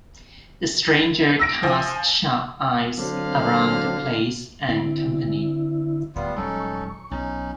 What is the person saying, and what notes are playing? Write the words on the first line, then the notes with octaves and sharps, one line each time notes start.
The stranger cast sharp eyes around the place and company.
E6 A#6 D7
F3 G#5
D3 F#3 C4 F5
D3 C4 E4
D1 G3 B3 F4
D#1 F#3 G#3 C#4 D#4 A4 C#6
B1 C#4 D#4